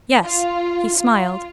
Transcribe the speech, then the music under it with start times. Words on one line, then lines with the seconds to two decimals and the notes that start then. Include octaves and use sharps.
Yes, he smiled.
0.24 F4
0.97 F4